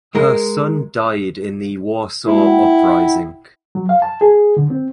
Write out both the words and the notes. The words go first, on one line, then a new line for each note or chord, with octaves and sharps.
Her son died in the Warsaw Uprising.
G#3 A#4
G#3 A#3 E4 F#4
F#5 G5
F#3
F5
A5
G#4
D3
C4